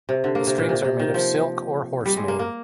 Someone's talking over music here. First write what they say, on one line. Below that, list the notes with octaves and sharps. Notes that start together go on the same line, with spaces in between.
The strings are made of silk or horse mane.
C3
D3
A#3
C3
A#2
C3
C3
D#3
F3
G3
G#3
A#3
A#3